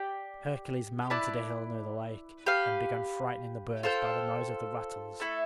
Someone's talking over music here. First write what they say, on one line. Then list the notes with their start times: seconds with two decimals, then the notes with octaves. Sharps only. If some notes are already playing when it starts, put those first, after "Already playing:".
Hercules mounted a hill near the lake, and began frightening the birds by the noise of the rattles.
Already playing: G4 D5 G5
1.10 E4 B4 D5 A5
2.46 G4 B4 F5
3.83 F4 A4 C5 G5
5.20 A3 E4 A4